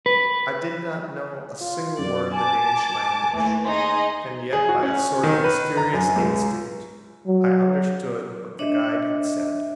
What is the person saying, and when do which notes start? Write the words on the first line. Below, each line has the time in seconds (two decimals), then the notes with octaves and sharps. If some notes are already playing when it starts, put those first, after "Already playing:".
I did not know a single word of the Danish language, and yet by a sort of mysterious instinct I understood what the guide had said.
0.06 B4
1.60 F4
1.98 F#2 D5
2.33 G#5 A5 D6
3.32 D#2 E3 A3
3.65 D#4 G#4 D#5 C6
4.53 G#4
4.69 F#4
4.83 C#4
5.23 D#3
5.44 B4
5.77 A#5
5.93 F#2
6.16 C#2
7.27 F#3
8.59 D4 C#5 D#5 E5